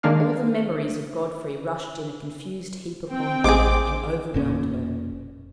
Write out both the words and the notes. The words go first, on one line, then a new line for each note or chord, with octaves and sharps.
All the memories of Godfrey rushed in a confused heap upon her, and overwhelmed her.
D#3 G#3 A#3 D4 F5 F6
C4 G5
A1 G#3 G#4 D6
F1 A#2 C#4